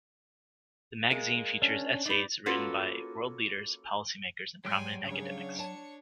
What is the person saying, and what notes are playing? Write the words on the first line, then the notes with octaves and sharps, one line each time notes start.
The magazine features essays written by world leaders, policy makers, and prominent academics.
G#3 A#3
C#4 D4
D#4 B4 D5
A#3 C#4 F4 F#4 A4 B4
G#2 F#3 G3 G5 G#5 C6
C#3 D4 C#5
A5 C#7